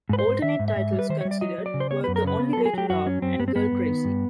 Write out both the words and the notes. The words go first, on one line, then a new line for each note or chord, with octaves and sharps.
Alternate titles considered were "The Only Way to Love" and "Girl Crazy".
G#2 B4
C5
G#2
D#3 E5
G#2
E5
G#2
G3
B4
D#3 C5
G3 C#5
D5
F#3 D#5
F#3
D5
C#3
C5
B3 C#5
F#2 B4
A#4
C#3 B4
B3
F#3 A4
G#4
F#3 G4
F#2 F#4
F#3 C#4
F#2 C4
G2 B3
C4
G2 B3
G2
D#3
G2